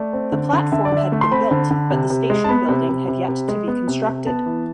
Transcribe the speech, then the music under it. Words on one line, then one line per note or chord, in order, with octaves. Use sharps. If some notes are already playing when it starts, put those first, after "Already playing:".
The platform had been built, but the station building had yet to be constructed.
Already playing: A3 D5
C4
D3
D3
D3 E5
D5
D3 E5
A3
C6
C4 B5
D3
D3
C3
C3
G#3
A5
B3 B5
C3
C3
C3
C3
G#3
B3
C3
C3
B3 A5
E3